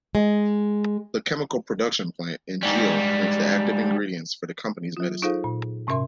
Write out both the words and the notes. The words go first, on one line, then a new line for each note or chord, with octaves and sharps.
The Chemical Production plant in Geel makes the active ingredients for the company's medicines.
G#3
G#2 G3
F#3 F4
D#4 F4 G#4 A4 C5 F5
A#2
G#2 C3 C#4 A#4 E5 C6